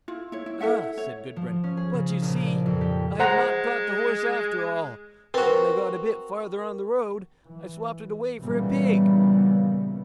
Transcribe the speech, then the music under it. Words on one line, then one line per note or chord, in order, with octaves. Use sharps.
'Ah!' said Gudbrand, 'but you see I've not got the horse after all; for when I got a bit farther on the road, I swopped it away for a pig.'
E4 F4
E4 C#5
E4
E4 A4 E5 F#5
C#5
F3
C#4
G#4
C#3
A#1
D5
F2
G4
G#3 C5 F#5 A#5
C4 F#4 A#4 B4
E3
A#2 C#3 E3 G3 A#3 B3